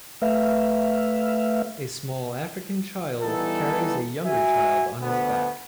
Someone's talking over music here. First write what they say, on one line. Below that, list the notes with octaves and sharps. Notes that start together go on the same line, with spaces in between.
A small African child carries a younger child on his back.
A3 B4 E5 F5
E3 G3 B3 D#4 A4
F#4 E5 G#5
D2 B3